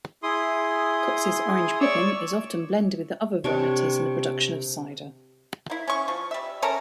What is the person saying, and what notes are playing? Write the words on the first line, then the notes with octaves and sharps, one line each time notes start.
Cox's Orange Pippin is often blended with other varieties in the production of cider.
E4 G#4 C6 D#6
C#5 D5 C#6 E6
C3 D4 C#5 D6
A#3 E4
C#4 C#6
F3
G3 E5
C#4 A4 A#4 A#5